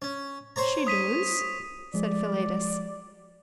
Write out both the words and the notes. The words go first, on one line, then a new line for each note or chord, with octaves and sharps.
"She doos," said Philetus.
C#4
C5 C#5 A#5
D#6 B6 D#7
F3 G#3 D5